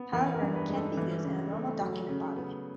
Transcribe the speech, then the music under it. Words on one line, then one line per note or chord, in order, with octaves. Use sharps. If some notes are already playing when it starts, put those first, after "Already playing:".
However, can be used in a normal document body.
Already playing: B3
E3 A#4
A#4
G2
B4
G#3
A4
E3
C#3
A3
F#3
C#3
B3